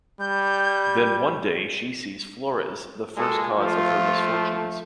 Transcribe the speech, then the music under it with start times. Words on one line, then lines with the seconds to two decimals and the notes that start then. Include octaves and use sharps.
Then one day she sees Florez, the first cause of her misfortunes.
0.20 G3 G6
3.17 A#2 G#3 A4
3.57 F3 A3 F4